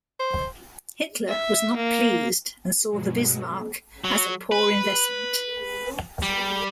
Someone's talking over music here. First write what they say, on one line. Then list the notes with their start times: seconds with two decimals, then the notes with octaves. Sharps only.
Hitler was not pleased and saw the Bismarck as a poor investment.
0.20 C5
1.29 E5
1.77 A#3
2.89 G2 B2 F#3 G#3
4.04 F#3
4.52 B4
6.22 G3